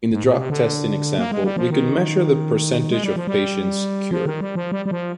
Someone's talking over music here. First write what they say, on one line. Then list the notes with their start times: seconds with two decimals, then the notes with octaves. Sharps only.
In the drug testing example, we could measure the percentage of patients cured.
0.12 G#2
0.24 A#2
0.38 C3
0.50 D3
1.18 A#3
1.31 G#3
1.44 G3
1.57 F3
1.70 D#3
2.91 G#3
3.04 G3
3.16 F3
3.27 G3
4.11 F3
4.26 D#3
4.41 G3
4.55 F3
4.72 G3
4.86 G3
4.91 F3